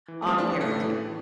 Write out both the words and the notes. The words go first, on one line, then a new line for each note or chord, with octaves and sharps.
on parenting.
E3
A3
E2 G3 C4
A3 D4
E3
D4 G4
A2 A3
E3
A2